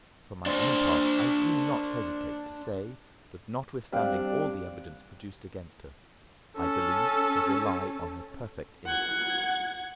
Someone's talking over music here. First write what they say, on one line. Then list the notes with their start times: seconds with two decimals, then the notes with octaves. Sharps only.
For my own part, I do not hesitate to say that, notwithstanding all the evidence produced against her, I believe and rely on her perfect innocence.
0.46 D4 C5
3.93 G3 C4 D4 F5
6.57 C#4 A4
8.86 F#5 G#6